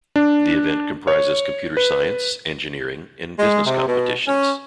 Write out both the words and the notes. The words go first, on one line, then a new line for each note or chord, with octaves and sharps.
The event comprises computer science, engineering and business competitions.
D4
C#5
B4
G#3
C3
B2
C#4